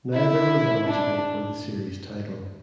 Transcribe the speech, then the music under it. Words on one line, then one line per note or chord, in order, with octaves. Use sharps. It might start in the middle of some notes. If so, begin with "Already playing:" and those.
Neither was eligible for the series title.
E4
D4